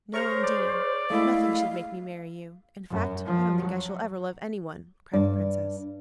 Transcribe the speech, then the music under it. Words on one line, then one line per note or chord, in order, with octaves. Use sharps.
'No, indeed; nothing should make me marry you; in fact, I don't think I shall ever love anyone,' cried the Princess.
G#4 A#4 C5 C#5 C#6 F6
D5
G#3 A3 E4 D#5 F5
F#2
F3
F#3
G2 D5